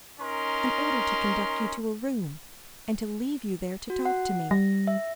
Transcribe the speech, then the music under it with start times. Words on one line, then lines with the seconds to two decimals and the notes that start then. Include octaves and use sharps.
"An order to conduct you to a room, and to leave you there to talk to me."
0.20 C#4 D#4 A#4 C6
3.90 F#4
4.05 F#5
4.51 G3 A#6
4.87 E5